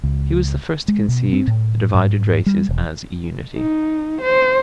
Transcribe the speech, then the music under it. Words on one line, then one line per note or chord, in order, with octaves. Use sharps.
He was the first to conceive the divided races as a unity.
C#2
G#3
B2
C4
A2
G#2
G3
E1
D#4
C5